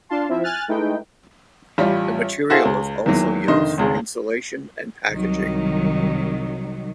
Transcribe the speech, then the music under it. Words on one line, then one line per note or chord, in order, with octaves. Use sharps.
The material is also used for insulation and packaging.
D4 F4 F5 A5 C6
F3 C4 E4 F4 E5
G#5 F6 F#6 A6
G#3 A3 D#4 E4 B4 G5
A1 G3 F4
E4 F#4 G#4 A4 C5 F5
C#2
E2 D#3 E3 F#3 A#3
F1 D3 D#3 D#5 C6
G#1 C#2 G#3
C2 D#3 F#3